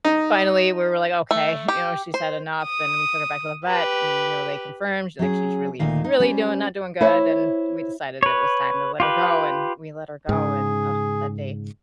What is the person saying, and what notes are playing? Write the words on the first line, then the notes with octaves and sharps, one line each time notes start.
finally, we were, like, okay, you know, she's had enough, and we took her back to the vet, and, you know, they confirmed, she's, like, she's really, really doing not doing good, and we decided it was time to let her go, and we let her go, and ugh, that day,
D#4
A3
G4
C5
D#6
G4 B4
F#3 C#4 G#4
D2 A#2 D#3 F5
D#4
G3 C#4 C5
E4 C5 C#5 E5
B4 C#5
F4 G4 B4
G#2 C#3 G#4